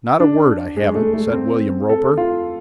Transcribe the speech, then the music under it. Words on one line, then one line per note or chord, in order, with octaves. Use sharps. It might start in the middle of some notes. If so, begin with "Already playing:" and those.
"Not a word, I haven't," said William Roper.
D4
G#3
A3
A3
C4
A4
F4